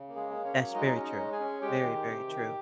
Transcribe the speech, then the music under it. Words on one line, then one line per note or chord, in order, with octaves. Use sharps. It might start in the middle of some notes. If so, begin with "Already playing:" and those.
That's very true. Very, very true.
Already playing: C#3
A#3
G#3 G#4
A#3
C#4 C#5
F#3
G#3 D#4 D#5
C#4
D#4 D#5
G#3
G#4 G#5
C#4
G#3 G4 G5
D#3
C3
D#3